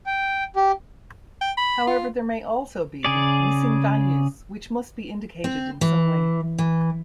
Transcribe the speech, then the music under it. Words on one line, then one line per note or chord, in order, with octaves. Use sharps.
However, there may also be "missing values", which must be indicated in some way.
G5
G4
G5
B5
F4
C#3 G#4 D5
C4
E3
E3